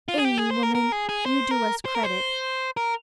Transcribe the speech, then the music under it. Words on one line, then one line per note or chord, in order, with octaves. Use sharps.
'Amy, woman, you do us credit!
F4
G#4
G4
G#4
C5
A#4
A#4
G#4
G#4
C5
A#4
C5
A#4
C5
A#4